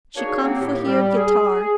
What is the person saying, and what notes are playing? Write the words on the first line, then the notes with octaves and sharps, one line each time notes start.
She come for hear guitar.
A#3 D4 D#4 F#4 G#4 C#5
F#3 A#3 C4
D#2 A2 G4
G3
G#4
G#4